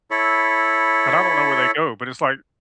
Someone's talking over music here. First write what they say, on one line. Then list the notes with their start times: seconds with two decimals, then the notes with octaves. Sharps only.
and I don't know where they go, but it's like
0.11 E4 A4 C#5 B5